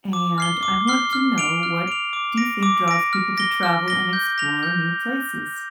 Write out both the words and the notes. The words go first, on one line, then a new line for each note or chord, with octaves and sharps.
and I want to know what do you think draws people to travel and explore new places?
D6
F6 C7 G7
D6
F6 C7 G7
F6
D7 F7
F6
D7 F7
D6
A#6 D7
D6
A#6 D7
F6
A#6 G7
F6
A#6 G7
G6
A#6 F7
G6